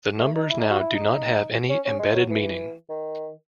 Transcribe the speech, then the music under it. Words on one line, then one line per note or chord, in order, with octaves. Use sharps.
The numbers now do not have any embedded meaning.
A3
D#4
E4
D#4
F#4
E4
D#4
C#4
C#4
G#3
F#3
E3
D#3